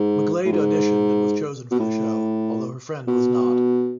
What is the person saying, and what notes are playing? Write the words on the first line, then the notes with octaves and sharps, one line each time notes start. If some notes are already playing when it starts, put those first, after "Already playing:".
McGlade auditioned and was chosen for the show, although her friend was not.
Already playing: G#2
A2
G#2
B2
A2
B2